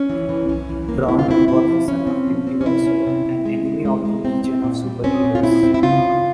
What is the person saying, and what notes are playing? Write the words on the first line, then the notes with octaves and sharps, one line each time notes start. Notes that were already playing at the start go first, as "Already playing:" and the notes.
Rond was the son of Universo, an enemy of the Legion of Super-Heroes.
Already playing: C#4
E3
E3
C#4
E3
A#3
C4 E4
F4
C4 E4
C4 E4
F3
F3 C#4
C4
F3
C4
C#4
C3 E4
C#4
C3
C3
G#3
G#3
G#3
G#3
C4
C4
A#2
G3
C4 C#4
A#2
F4
C4 E4
C4
E4
C#3 F4
C#3